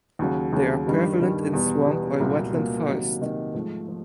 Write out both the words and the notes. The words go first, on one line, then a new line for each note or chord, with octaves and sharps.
They are prevalent in swamp or wetland forest.
D#2 C#3 F#3
D#2 C#3 F#3
G2 D#3 G3
G2 D#3 G3
E2 B2 G3
E2 B2 G3
C2 A#2 F#3 A#3
C2 A#2 F#3 A#3
C3 D#3 F#3 A#3
C3 D#3 F#3 A#3
G#2 F3 A3
F3